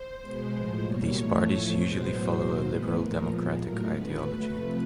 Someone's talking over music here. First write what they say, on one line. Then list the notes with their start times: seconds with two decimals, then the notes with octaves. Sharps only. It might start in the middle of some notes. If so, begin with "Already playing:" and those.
These parties usually follow a liberal democratic ideology.
Already playing: C5
0.22 B2 G#3 B3
0.52 A2 F3 G#3 C5
0.82 B2 G3 A#3 C#5
1.13 A2 E3 A3
1.43 A2 F3 A3
1.73 B2 G#3 B3 C5
2.04 A2 F#3 B3
2.34 B2 F#3 A#3
2.64 A2 E3 G#3 B3 B4
2.94 A#2 F3 A3 A#4
3.25 A#2 F3 G#3 B3
3.55 A2 F#3 A3 A#4
3.85 D3 F3 G#3 B3 B4
4.15 A2 F#3 A3
4.46 C3 F3 A3